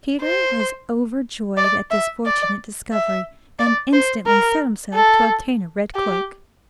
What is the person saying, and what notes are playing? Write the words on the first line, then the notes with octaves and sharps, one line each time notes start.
Peter was overjoyed at this fortunate discovery, and instantly set himself to obtain a red cloak.
C5
D5
E5
D5
E5
D5
C5
A#4
A4
G4